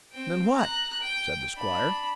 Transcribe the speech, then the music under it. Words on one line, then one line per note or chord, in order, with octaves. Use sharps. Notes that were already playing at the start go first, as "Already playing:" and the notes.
"Than what?" said the Squire.
C4 G5
A#5 F#6
G5
D4 B5